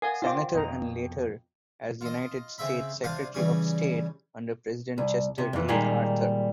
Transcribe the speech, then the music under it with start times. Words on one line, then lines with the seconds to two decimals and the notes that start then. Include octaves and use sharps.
Senator and later as United States Secretary of State under President Chester A. Arthur.
0.02 A#4 F5 F#5 G#5
0.22 F4 C5 F5 G5 D6
0.55 F2 B2 D#5 A#5
2.01 F4 D#5
2.58 C#3 C4 E5 B5
3.04 C3 D4 C5 D5 F5
3.34 C#3 E3 G3 C#4
4.98 C2
5.38 C3
5.53 F2 E3
5.68 A#2 D#3 G3 G#3 A#3